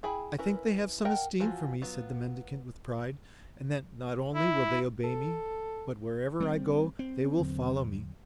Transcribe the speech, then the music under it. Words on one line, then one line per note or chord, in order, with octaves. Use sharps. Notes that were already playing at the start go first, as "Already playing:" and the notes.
"I think they have some esteem for me," said the mendicant with pride, "and that not only will they obey me, but wherever I go they will follow me."
E4 G#4 G5 B5
C#4 E4 A#4 B4
A#4 D#5 F#5 G5 A5
E3 F3 F4 F#4
F#3 B3 F4
E4
A4
G3 C4
C4
E2 D3 F#3